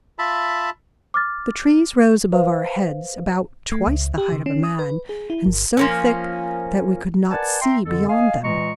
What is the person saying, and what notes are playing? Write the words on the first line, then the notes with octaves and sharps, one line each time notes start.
The trees rose above our heads, about twice the height of a man, and so thick that we could not see beyond them.
F4 E5 A5 B5
D6 F6 A6
B4 C5 E5 F5
A3
C#2
G4
C#3
C#4
D#6
B4
G#4
E4
G1
F3 A#3 C#4
A#4 B4 D5 F#5 G#5 A5
E5 G5 A#5 C6
F2 D3 A4
D#5 F5 G#5
A#2 E3 G#3 D#5 A#5 C#6